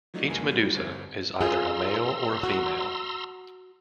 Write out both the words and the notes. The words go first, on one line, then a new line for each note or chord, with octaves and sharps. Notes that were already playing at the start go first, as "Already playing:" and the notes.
Each medusa is either a male or a female.
F3 F#3 A3 D4 D#4
C#2 G2 E3 A#3 G#5 C7
F#3 G3
G1 C4 G#6
F4 G#4 A#5 C6 E6
F#4